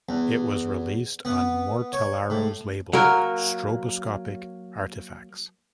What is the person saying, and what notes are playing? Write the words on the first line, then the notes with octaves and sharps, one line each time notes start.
It was released on Mortellaro's label Stroboscopic Artefacts.
E2
B3
C#5
A2
F#3 A#3 A#4